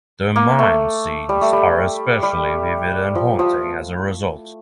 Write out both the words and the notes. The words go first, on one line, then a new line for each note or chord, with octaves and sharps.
The mine scenes are especially vivid and haunting as a result.
A#3
A3
G3
A3
G3
G3
F3
F3